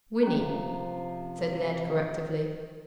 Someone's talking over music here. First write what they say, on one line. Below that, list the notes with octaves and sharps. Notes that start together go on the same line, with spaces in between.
"Whinny," said Ned correctively.
C3 F3 C#4 A#5